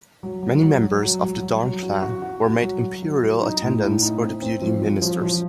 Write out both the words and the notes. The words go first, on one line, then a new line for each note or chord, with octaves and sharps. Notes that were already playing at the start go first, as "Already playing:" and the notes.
Many members of the Dong clan were made imperial attendants or deputy ministers.
F#3
F#3
F#3
F#3
F#3
F#3
F#3
F#3
F#4
F#4
F#4
F#4
F#3
F#3
F#4
F#3
D#4
A2
A2
D#4
C4
C4
F3
F3
F3
F3